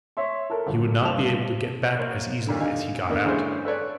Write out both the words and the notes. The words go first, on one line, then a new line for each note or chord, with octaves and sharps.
He would not be able to get back as easily as he got out!
C#5 E5 C6
A4 A#4
G1 F#3
G2 C5 A5 E7 F7
A#3 C5 C#5
D#2 A#2 D3
D3 D#4 F5 G#5
D3 A#3 B3 D#4
D3 E3 G#3 C#4 D4 C5
A4 B4 C#5 D5